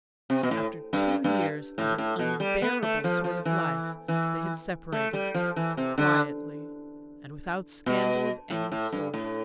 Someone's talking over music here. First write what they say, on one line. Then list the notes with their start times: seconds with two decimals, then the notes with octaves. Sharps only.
After two years of an unbearable sort of life they had separated--quietly, and without scandal of any sort.
0.30 C3
0.43 B2
0.51 A2
0.93 G2
1.24 G2
1.78 A2
1.98 A2
2.19 B2
2.40 G3
2.62 B3
2.83 A3
3.04 F3
3.24 F3
3.45 E3
4.08 E3
4.92 A3
5.13 G3
5.34 F3
5.56 E3
5.77 C3
5.98 D3
7.86 B2
8.50 A2
8.72 A2
8.92 G2
9.14 A2